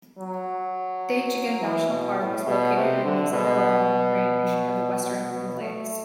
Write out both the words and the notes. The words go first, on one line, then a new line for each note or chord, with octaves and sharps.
Dachigam National park is located in the Zabarwan Range of the western Himalayas.
F#3
E3
B2
A2
B2
C3
D3
B2
B2
B2
A3